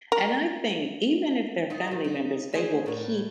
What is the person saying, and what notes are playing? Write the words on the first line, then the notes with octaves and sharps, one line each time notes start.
And I think even if they're family members, they will keep
A#4
D#4 F4
D#3 C5
D#4
D2 G#4 C5
A2 A#4